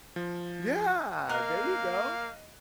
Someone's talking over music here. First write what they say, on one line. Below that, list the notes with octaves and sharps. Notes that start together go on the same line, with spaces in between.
Yeah, there you go.
F3
A#3 A#4 D#5 F5 F#6